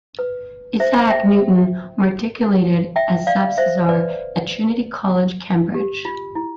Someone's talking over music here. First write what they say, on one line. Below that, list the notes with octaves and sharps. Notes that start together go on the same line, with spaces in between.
Isaac Newton matriculated as subsizar at Trinity College, Cambridge.
B4
C5 E5
E5 G5
E5 G5
D5 F5
C5 E5
B4 D5
G4
F4
E4